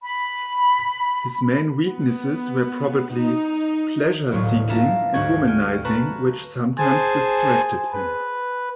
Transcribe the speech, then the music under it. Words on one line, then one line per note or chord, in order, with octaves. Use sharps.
His main weaknesses were probably pleasure-seeking and womanising, which sometimes distracted him.
B5
B3
D#4
E1 D2 A2 F#3 F4 C#6
C#4 D4 E5 F5 A5 A#5
D2 G#2 F#4 G4 C#6 G#6
G5 G#5 F6
B4 A5 A#5 C#6 F#6
G#4 C5 G#5 A5
B4